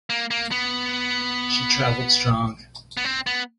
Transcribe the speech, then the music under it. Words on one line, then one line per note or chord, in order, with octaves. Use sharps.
She travelled strong.
A#3
A#3
B3
B3
C4
B3